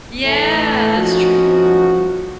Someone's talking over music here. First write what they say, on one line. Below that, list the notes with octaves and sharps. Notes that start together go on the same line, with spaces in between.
Yeah, that's true.
A2 E3 A3
F3 A3 C#4 D#4 F#4